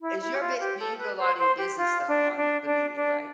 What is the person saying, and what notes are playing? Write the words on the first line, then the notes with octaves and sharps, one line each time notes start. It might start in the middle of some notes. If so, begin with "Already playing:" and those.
Is your bi do you do a lot of your business though on the media, right?
E4
E4
G4
F4
G4
A4
B4
C5
C5
G4
F4
D4
D4
D4
D4